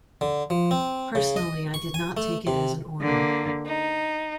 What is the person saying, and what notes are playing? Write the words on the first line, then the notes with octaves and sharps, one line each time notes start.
Personally, I did not take it as an order.
D3
F3
C4
C#3
D#5
C#6
G#5
A3
C3
D3 A#3
D#4